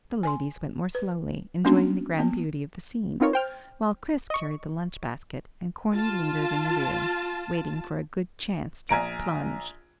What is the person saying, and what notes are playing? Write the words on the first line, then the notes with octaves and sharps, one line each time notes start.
The ladies went more slowly, enjoying the grand beauty of the scene, while Chris carried the lunch-basket, and Corny lingered in the rear, waiting for a good chance to "plunge."
G#5 C6
B4
G3 A#3 B3 C#4 D4 F#4
A#3 B3
B3 C4 D#4 F4 A#4 C#5
C5 G5 F6
D#5 C#6
F4 A5
A#1 G#5 A#5 D7